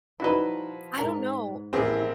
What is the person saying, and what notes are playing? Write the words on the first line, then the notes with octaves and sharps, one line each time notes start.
I don't know.
F3 G3 D#4 E4 F#4 B4
G#2 A4 A#4
A1 F3 A#3 C4 E4 G4 G#4